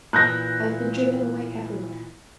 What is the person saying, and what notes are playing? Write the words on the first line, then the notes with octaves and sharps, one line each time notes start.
"I have been driven away everywhere."
A#2 E3 F#6 G6 A#6